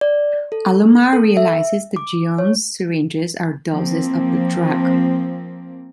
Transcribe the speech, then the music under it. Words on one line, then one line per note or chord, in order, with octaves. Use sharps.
Alomar realizes that Gionne's syringes are doses of the drug.
D5
A4
A4
E5
D6
C#5
F3 A#3 C4